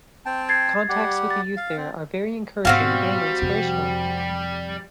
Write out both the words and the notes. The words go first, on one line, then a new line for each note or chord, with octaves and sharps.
Contacts with the youth there are very encouraging and inspirational.
C4 G5 A5
G#6 A6 C7
G3 G4 F#5
A6
F5
C4
G#2 B2 G3 C4 F#4 F5
F2 C3